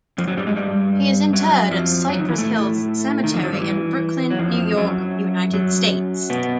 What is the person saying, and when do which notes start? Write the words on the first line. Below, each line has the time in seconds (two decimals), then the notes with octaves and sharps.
He is interred at Cypress Hills Cemetery in Brooklyn, New York, United States.
0.18 F2 F3
0.28 F#2 F#3
0.37 G2 G3
0.47 G#2 G#3
0.56 G2 G3
1.33 F#2 F#3
1.71 F2 F3
2.09 F#2 F#3
2.19 D#3
2.29 E3
2.38 A2 A3
3.24 D#3
3.34 F2 F3
3.43 F#2 F#3
3.53 G2 G3
3.62 E3
4.31 F#3
4.39 F2 F3
4.77 F#2 F#3
5.53 F#2 F#3
6.30 B2 B3